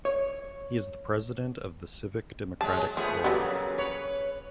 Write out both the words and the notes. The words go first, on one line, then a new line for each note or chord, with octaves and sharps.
He is the president of the Civic Democratic Forum.
C#5
C3 F#3 G#3 A5
F3 A3 B3 G#4
C#3 F#3 G3 A#3 B3
B4 C#5